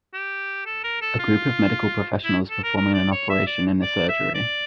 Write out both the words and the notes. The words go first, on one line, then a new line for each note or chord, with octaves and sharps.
A group of medical professionals performing an operation in a surgery.
G4
A4
A#4
A4
F4
E4
A4
A#4
A#4
D5
C#5
E5
D5
D5
E5
D5